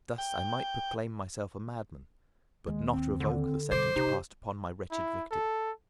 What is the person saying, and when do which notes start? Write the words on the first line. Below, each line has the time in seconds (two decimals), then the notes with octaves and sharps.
Thus I might proclaim myself a madman, but not revoke the sentence passed upon my wretched victim.
0.18 G5
2.67 D#2 G#3
2.93 C4
3.20 D3
3.71 B2 G3 C5 D6
3.96 C3 D#4 G4
4.91 E4
5.31 A4